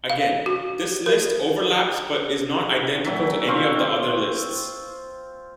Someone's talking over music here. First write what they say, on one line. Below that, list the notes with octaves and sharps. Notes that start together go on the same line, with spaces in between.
Again, this list overlaps but is not identical to any of the other lists.
F5
F#4
A#4
A#2 F#3 E5
C4 F4 F5 C#6